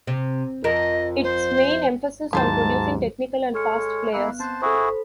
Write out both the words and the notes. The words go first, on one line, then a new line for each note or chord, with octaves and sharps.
Its main emphasis on producing technical and fast players.
C3
F2 A#4 D#5
C5
D#2 G#2 F#3 E4 F4 C5 A5
G#3 A4 C#5 F6 C#7
A#3 B3 E4 F#6
C4 C5 A5 F#6
E4 F#4 G#4 A4 C5
B5